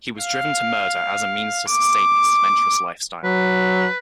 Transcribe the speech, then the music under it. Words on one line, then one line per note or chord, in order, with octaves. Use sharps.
He was driven to murder as a means to sustain his adventurous lifestyle.
F5
D6
F#3 B4